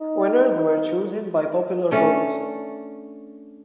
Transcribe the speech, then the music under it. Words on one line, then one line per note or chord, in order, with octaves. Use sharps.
Winners were chosen by popular vote.
D#4
A3 C#4 D4